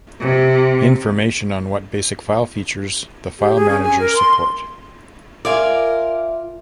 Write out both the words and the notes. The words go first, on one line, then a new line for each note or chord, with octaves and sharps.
Information on what basic file features the file managers support.
C3
G4
G#4
C#4
G#5
A#4
C6
F4 A#4 D5 E5 F5 G#5